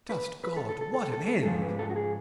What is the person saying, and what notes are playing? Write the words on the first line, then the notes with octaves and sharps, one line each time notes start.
Just God, what an end!
B4
B4
A4
A4
A4
A4
A4
A4
G#2 F3 G#3 A4
B4
A4
F#4
G#4